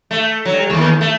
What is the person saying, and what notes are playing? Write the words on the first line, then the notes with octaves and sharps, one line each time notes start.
and I think
A3
F#3
D#2
A3